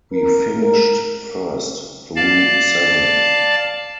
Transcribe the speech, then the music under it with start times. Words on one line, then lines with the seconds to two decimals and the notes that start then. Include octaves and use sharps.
We finished first through seventh.
0.13 A#4
2.16 D5 F5 A5